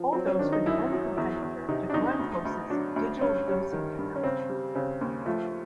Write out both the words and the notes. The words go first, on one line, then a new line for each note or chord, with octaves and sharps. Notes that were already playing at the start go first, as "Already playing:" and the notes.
Alldos were the only competitor to Grundfos's 'digital dosing' technology.
Already playing: F3
F#3 C4
C#4
D#3 D4
D#4
F#2 E4
F#3
E2 E4
E2
C3 D#4
D4
E2 D#4
D2
D2
F#3 D4
D2
G2 C#4
G3 C#4
D#3
G2
C#4
C#3 C4
G3
C#3 C4
D#2
F3 A3